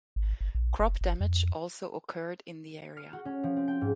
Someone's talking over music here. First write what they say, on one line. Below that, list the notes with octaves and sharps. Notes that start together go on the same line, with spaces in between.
Crop damage also occurred in the area.
G#1
G1
A#1
F#1
G1
F2
F6
F#4
C#4
F3
C4
G5
G#2